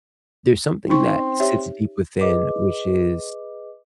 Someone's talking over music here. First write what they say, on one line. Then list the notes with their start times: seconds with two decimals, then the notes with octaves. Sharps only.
there's something that sits deep within, which is
0.89 C4 C#4 D#4 C#6
1.40 G4 C#5 E5
2.21 G#4 B4 D#5 D6